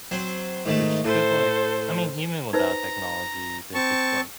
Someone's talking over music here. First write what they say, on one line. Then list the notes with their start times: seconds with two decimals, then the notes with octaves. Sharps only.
which could, like I mean, even without technology, they could, like,
0.11 F#3 C4
0.66 G#2 D#3 A3
1.04 A2 A4 C5
2.53 D#4 B4 C5 A#5
3.74 C4 A5 C#6